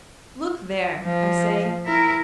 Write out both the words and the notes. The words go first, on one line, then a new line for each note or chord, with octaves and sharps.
"Look there!" I say.
F3
E4 A#4